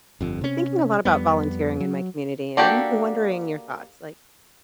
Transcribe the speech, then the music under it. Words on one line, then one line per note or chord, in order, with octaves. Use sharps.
thinking a lot about volunteering in my community, and I'm wondering your thoughts, like,
G1 F2
C3 C#4
F2 G3 B3
F#3
A#3 D4 F#4 G4 A4